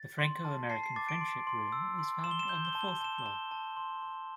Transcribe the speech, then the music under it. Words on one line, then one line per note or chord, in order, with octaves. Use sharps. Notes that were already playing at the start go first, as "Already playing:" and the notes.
The Franco-American friendship room is found on the fourth floor.
Already playing: A6
C6
A5
A5 C7
C7
D6 A6
D7
C6
C6
E6
C6
C6 E7
G7
E7
G6 G7
E7
G7
A5 E7
G7
E7
G7
A5 E7
G7
A5 E7
A5
C6
C6